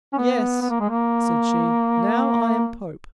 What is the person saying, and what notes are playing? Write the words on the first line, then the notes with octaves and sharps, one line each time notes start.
"Yes," said she; "now I am pope."
C#4
B3
B3
A#3
G#3
A#3